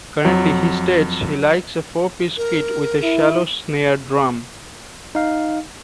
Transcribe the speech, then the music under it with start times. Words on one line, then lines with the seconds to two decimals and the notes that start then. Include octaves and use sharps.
Currently he states he likes a four-piece kit with a shallow snare drum.
0.25 F2 F#3
2.37 A#4
3.03 E4
5.15 D#4 F5